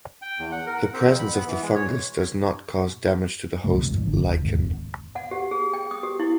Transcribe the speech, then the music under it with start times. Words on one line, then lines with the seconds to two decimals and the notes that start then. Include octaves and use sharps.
The presence of the fungus does not cause damage to the host lichen.
0.22 G5
0.39 E2
0.52 F#5
0.67 A#4
0.80 F#5
0.93 C4
1.07 F2
1.19 B5
1.34 B3
1.47 E3
1.62 G#3
1.75 C#5
3.64 C#2 G2 C#3 A3
3.78 B2 A3 C4
3.91 F2 G#2 E3
4.07 G1 C2 D3
4.21 D#1
4.43 F1 D#2 G#2 C3
5.16 F#5
5.31 G4
5.51 G#4
5.73 G5
5.91 D#6
6.03 G4
6.20 E4